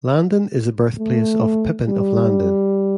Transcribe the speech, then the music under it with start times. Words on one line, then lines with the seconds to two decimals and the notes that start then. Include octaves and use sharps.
Landen is the birthplace of Pippin of Landen.
0.99 A3
1.89 G3